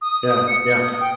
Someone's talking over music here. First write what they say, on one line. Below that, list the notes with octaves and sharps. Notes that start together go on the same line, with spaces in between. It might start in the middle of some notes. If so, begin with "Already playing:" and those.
Yeah, yeah.
D#6
C#7
D#6
G5